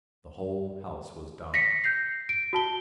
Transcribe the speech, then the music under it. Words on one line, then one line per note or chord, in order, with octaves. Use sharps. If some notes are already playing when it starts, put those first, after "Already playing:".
The whole house was dark.
A#6 B6 C#7
G6 A#6 C7
D7
F#4 A5 G7